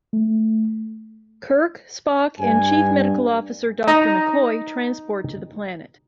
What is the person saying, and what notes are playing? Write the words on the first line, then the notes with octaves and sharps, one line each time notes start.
Kirk, Spock, and Chief Medical Officer Doctor McCoy transport to the planet.
A3
G2 G#5
D#4 A#5